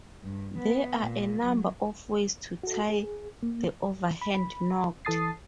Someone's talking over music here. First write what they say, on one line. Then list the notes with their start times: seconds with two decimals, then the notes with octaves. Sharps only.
There are a number of ways to tie the Overhand knot.
0.23 G2
0.58 B3
1.01 A#2
1.41 F#3
2.63 F#4 A4
2.90 G#4
3.43 A#3
4.21 B5
5.05 E3 A4 A5 D#6 A6 C7